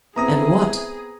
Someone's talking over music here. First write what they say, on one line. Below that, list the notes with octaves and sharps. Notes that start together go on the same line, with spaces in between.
"And what?"
B3 C4 E4 G#4 A#5 D#6 A#6